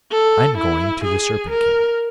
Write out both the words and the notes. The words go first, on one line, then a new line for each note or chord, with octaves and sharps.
'I am going to the Serpent King.'
A4
E4
G#4
A#4